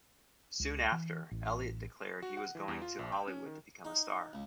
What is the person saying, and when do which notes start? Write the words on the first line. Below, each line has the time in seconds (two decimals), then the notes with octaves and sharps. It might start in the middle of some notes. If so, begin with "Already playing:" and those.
Soon after, Elliott declared he was going to Hollywood to become a star.
0.60 C#2
0.92 E3
1.32 A1
2.22 F#4
2.37 F#5
2.55 E3
2.68 E2
2.82 F4
2.99 A#1
3.12 G5
3.28 C#4
3.46 D#3
3.85 D#4
4.33 C#2